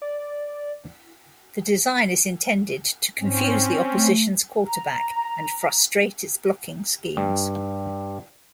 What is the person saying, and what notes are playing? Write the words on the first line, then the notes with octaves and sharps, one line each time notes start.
The design is intended to confuse the opposition's quarterback and frustrate its blocking schemes.
D5
G#2 C4 C#4
A3
A#5
G2